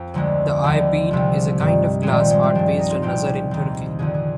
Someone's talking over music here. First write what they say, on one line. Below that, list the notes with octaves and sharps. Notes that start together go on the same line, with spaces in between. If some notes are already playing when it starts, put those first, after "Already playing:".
The eye bead is a kind of glass art based on nazar in Turkey.
Already playing: F2
D2 D3 F3 G#3
D#2 D3 F3
C2 C3 F3
G2 D#3
C2 A#2 F3 G3 G#3
G3
G#3
C4
G2 F3 D4
D4
D#4
F4
C2 A#2 F3 G4
D#2 D#3
F2 D3 F3 G#4
G#4